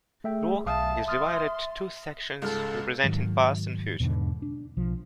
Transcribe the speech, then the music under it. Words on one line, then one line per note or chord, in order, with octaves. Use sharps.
The work is divided two sections representing past and future.
A3 G#4 E5 G5
B1 E5 F5 A5 D#6
C6 D#6 F6 A6
C#2 G#2 A4 F6
G#2 D#3 F#3
E2 G#2 B2 D3
D4
B1 F3